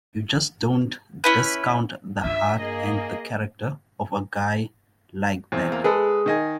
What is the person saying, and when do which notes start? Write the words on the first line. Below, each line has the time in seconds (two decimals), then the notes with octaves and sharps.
You just don't discount the heart and the character of a guy like that.
1.24 C#4 E4 B4
2.24 G2 F4 E5
2.57 A#3 G#4 D#5
5.52 E2 C4
5.72 A#3
5.84 G#3 G#4 A4 B4
6.26 D#3 D#5 G#5